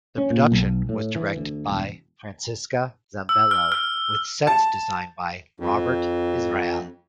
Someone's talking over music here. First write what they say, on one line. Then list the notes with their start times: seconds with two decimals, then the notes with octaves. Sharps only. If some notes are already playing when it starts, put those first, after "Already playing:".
The production was directed by Francesca Zambello with sets designed by Robert Israel.
0.18 C#4
0.30 A#2
0.52 B1
0.89 A2
1.15 E3
1.36 D2
1.70 E1
3.29 E6
3.51 F6
3.72 F6
4.47 A5
5.60 F2